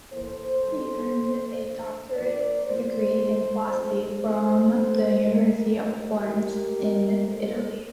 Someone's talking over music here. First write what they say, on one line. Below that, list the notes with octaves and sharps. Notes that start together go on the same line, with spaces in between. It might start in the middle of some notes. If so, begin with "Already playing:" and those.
He earned a doctorate degree in philosophy from the University of Florence in Italy.
A2 E3 A#3 A4 C5
D3 G3 D4
A#2 F3 A#3 D4
A2 E3 A#3 D4
A#2 F3 A#3 D4 A#4 D5
A2 F3 A3 A4 C5
D3 F3 A#3
A#2 F3 C4 A4 C5
D3 F3 C4 A4 C5
E3 G3 C4
A2 E3 A3 D4 G4 A#4
C3 E3 G3 A#3 D4
A2 E3 A3 G4 A#4
C3 G3 A#3
A#2 A3 D4 A4 C5